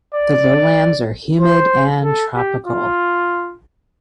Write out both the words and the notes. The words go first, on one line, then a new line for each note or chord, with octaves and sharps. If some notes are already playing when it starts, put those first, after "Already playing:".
The lowlands are humid and tropical.
D5
C5
A4
G4
F4